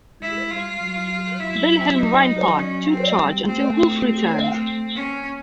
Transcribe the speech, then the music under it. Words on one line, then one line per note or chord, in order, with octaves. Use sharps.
Wilhelm Reinhard took charge until Wolff returned.
G#3 E4
G3 F4
F#3
F#3 E4
D#4
C#4
C4
G3
A3 C4
C4
A#3 C#4